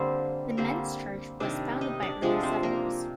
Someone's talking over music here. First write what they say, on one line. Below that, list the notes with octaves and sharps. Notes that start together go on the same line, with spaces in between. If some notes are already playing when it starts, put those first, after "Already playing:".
The Mentz Church was founded by early settlers.
Already playing: D3 G3 A#3 C4 C5
A#4
D3 G3 A#3 C4 C5
C3 D#3 G3 D4 D5
D#4 D#5
D4 D5
C3 F3 G#3 D4 D5
C4 C5
A#3 A#4